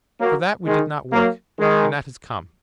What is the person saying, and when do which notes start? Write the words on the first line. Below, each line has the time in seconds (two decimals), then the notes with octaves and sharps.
For that we did not work, and that has come.
0.19 F#3 A#3
0.66 D#3 G#3
1.12 F#3 A#3
1.58 D#3 G#3